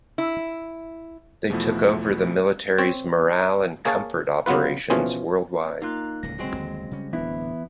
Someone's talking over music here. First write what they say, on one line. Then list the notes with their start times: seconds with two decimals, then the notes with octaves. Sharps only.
They took over the military's morale and comfort operations worldwide.
0.18 E4
1.50 E2 B2 F3 A3 E4
2.78 C4 C#5
3.85 A#3 G#4 C#5 F5 A5
4.46 C#3 F#3 B3 F4 B4
4.90 B2 E3 F3 C#4 F4 G#4
5.82 A#3 D#4 F4 F#6
6.23 D1 C#2 D3 A#6
6.39 F#3 G#3 C4
6.53 G1 D#2
6.91 C#3 G3 C#4
7.13 D1 E3 B3 D4 E4